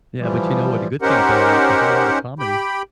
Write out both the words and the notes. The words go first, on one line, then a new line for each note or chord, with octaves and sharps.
Yeah, but, you know what, the good thing about it it's a whole lot of comedy.
E3 F3 G3
C#4 D#4 G4 A#4 C5 F#5
G4 G5 B5